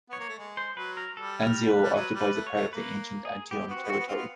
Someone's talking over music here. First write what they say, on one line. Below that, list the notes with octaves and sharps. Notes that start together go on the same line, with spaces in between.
Anzio occupies a part of the ancient Antium territory.
B3 C#5
A#3
A3
G#3
C5
F#3 B4
A#4
G3 A4
A#4
B4
G3
F#3 B4
G3
B4
A3
C#5
A3
A#3 B4
G#4
B3 G4
C4
B3
C4 F#4
B3
C4 F#4
B3
C4 F4
B3